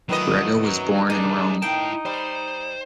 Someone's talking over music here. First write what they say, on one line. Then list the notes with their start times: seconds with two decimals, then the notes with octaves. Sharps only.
Brega was born in Rome.
0.09 D#3 F#3 A3 B3 F4 D#5
0.63 F#3 F#4 A#4
1.10 G3 D4 D#4 G#4
1.62 D#4 E4 G5 A5
2.06 G3 C5